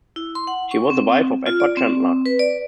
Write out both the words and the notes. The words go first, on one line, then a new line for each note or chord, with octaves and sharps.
She was the wife of Edward Chandler.
E4
C6
F#5
C#6
C4
F4
D5
C4
B4
D5